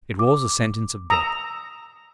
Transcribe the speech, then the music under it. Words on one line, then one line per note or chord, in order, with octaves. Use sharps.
It was a sentence of death.
D6
A#5 D#6 E6 E7